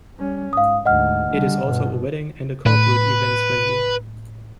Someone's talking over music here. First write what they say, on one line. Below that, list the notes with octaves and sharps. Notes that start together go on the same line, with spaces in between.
It is also a wedding and corporate events venue.
G3 C#4
G#2 F5 D#6
D2 G#2 D#5 F#5 F6
D3 G3
G2 B2
A2 B4